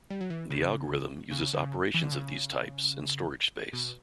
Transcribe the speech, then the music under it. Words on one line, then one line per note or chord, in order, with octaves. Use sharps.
The algorithm uses operations of these types, and storage space.
G3
F#3
E3
C#3
C#3
D3
C#3
E3
D3
C#3
B2